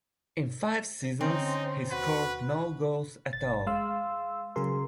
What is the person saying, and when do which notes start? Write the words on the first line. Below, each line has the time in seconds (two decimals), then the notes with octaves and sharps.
In five seasons he scored no goals at all.
1.21 D3 C4 C#4 D#4
1.92 D#2 F#4 B4
3.33 G#1 A6
3.66 G#3 F5 C6 E6
4.56 C#3 F#3 G#4 A#4 C6